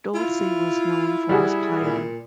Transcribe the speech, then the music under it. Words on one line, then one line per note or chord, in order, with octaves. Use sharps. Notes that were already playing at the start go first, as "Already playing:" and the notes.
Dolci was known for his piety.
E4 F4
G3 F#4 G#4
A#2